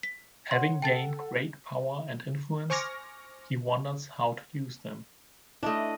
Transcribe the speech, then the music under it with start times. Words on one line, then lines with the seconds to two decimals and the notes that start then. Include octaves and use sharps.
Having gained great power and influence, he wonders how to use them.
0.03 B6
0.51 C#5 F#5 C6
0.82 A4 F#5 G5 A5 A6
2.70 C5 G#5 C#6 D6 F6 A#6
5.63 A3 D4 E4 D#5